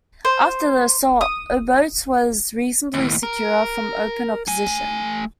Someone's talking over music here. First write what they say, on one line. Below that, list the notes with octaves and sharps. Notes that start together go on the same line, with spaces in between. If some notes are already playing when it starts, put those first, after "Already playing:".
After the assault, Obote was reasonably secure from open opposition.
C5
D#6
D#2 A2
A#4
A3 G#5